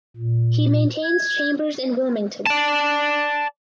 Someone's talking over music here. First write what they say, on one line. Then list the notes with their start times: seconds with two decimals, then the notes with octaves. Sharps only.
He maintains chambers in Wilmington.
0.17 A#2
1.03 G#6
2.46 D5 A5